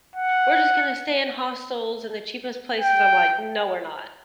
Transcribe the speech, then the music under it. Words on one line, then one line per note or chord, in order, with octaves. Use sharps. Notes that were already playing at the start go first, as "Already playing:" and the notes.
"We're just gonna stay in hostels in the cheapest places," I'm like, "No, we're not.
F#5
G5